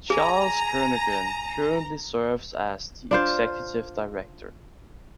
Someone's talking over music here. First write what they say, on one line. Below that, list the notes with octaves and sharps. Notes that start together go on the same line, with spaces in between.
Charles Kernaghan currently serves as the Executive Director.
G#4 G#5 A#5
D4 F4 C5